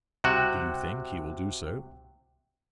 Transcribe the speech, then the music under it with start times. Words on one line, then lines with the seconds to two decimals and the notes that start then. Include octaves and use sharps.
"Do you think he will do so?"
0.24 C2 C3 F#4 G5 F#6